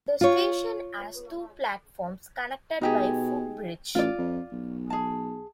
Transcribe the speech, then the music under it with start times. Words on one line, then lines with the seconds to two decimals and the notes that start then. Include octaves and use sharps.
The station has two platforms, connected by a footbridge.
0.21 F4 C#5
2.81 B2 D#4 G4 G#4
3.95 A1 F4 D5
4.18 F2
4.52 B1
4.90 G#4 A5